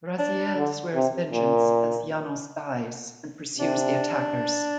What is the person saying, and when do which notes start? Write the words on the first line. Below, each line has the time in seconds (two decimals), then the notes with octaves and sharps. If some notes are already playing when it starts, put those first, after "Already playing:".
Raziel swears vengeance as Janos dies, and pursues the attackers.
0.19 D4
0.57 D3
0.94 C3
1.33 A#2
3.59 C3 D4